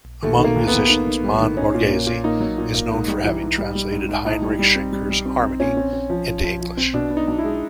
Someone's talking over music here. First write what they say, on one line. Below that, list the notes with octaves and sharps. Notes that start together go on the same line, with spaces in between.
Among musicians, Mann Borgese is known for having translated Heinrich Schenker's "Harmony" into English.
D#2 A3
D#3
A#3
D#2
B3
D#2
D#3
D#3
G3
D#3
C#4 D#4
A#2
A#3
A#2
A#3 D#4
F#3
A#2
A#3
G#2
G3
E3
G#2
G3
G3
G#2
G#2
A2 D#4
G3
G3
C4
G3
G3
C4
C4
A#2 C#4
C4
C4
F3
F3
F3
F3
C4
B2 D4
B3
D#4
B1
E4
G#3